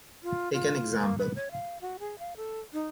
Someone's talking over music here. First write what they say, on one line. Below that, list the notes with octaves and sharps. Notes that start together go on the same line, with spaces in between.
Take an example.
F4
F4
A#3
B4
C#5
F5
F#4
G#4
F5
A4
D#4